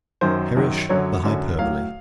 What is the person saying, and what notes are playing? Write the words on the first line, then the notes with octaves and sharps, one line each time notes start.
Perish the hyperbole!
F#2 D#3 F#3 C5
F#2 D#3 F#3
F#2 D3 F#3 C#5
F#2 D3 F#3
A2 F#3 F5